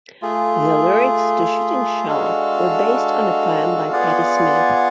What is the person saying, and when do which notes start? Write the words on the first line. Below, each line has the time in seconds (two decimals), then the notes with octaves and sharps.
The lyrics to "Shooting Shark" were based on a poem by Patti Smith.
0.22 A3 F4 G#4
2.06 G#3 D4 F#4 A4 F5
3.92 B3 F4 G#4 D5 F#5